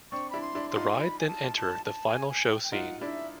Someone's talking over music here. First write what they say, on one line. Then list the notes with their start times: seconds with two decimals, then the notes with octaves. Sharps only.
The ride then enter the final show scene.
0.12 C4 D4 C#6
0.30 D4 E4 B5
0.41 C6
0.55 D4 E4
0.70 C6
0.77 D#4 F4
0.98 C6
1.02 B5
1.19 G#5
1.27 A5
1.57 A5
1.85 A5
2.07 G#5
2.29 G#5
2.50 G5
2.63 G5
2.72 D#4 F4 F#5
3.01 D4 E4 E5